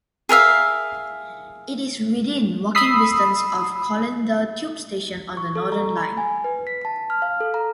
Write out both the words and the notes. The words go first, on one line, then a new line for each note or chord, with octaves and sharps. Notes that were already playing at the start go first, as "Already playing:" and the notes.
It is within walking distance of Colindale tube station on the Northern line.
G#4 A#4 E5 F5
B5 D#6 E6 C7
C#6
A4
A#5
B5
G#5
B4
B6
A5
F6
F5
A4
A#5